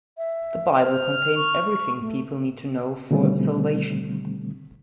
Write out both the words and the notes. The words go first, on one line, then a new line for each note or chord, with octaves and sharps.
The Bible contains everything people need to know for salvation.
E5
C5 F6
C#6
A3
B2 D3 D#3 G3 A3 C4